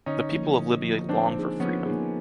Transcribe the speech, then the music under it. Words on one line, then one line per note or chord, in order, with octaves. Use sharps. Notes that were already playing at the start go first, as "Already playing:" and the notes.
The people of Libya long for freedom.
D3 C#4 D#4
F3 A#3
D3
F3 A#3
F3 C4 D4
A#3 D#4 G#4
F3 B3 C#4
A#3 D#4 G#4